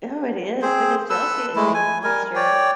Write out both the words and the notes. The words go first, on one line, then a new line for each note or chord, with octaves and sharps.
Oh, it is because jealousy is a monster.
C4 G#4 C5
A4 B4 E6
G#3 A3 E4
G#5
G3 A#4 G#5
C#5 D5 G5